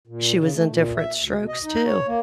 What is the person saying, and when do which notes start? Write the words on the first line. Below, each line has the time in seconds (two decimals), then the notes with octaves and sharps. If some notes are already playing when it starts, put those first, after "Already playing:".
She was in Diff'rent Strokes, too.
0.07 A#2
0.38 C#3
0.55 A3
0.68 A#2
0.97 E5
1.19 D2
1.37 B2
1.48 D#5
1.64 D#4
1.86 C#5
2.07 A#3